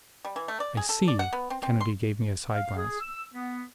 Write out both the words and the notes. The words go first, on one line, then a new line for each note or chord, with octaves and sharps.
"I see!" Kennedy gave me a side glance.
G3
E3
A3
D5
G#4
A4
D5
F#5
B3
C4
C4
C6
F5
G#4
E6
B3